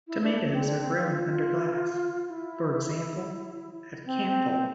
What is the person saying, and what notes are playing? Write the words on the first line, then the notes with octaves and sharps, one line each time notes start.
Tomatoes are grown under glass, for example at Campile.
E4
D4
C4
D4
C4
F4
F4
F4
E4
C4
C4
C4